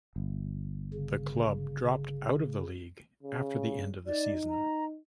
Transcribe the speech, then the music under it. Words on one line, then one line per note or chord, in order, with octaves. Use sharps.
The club dropped out of the league after the end of the season.
G1
C#3
C#3
D#4 D5
A#5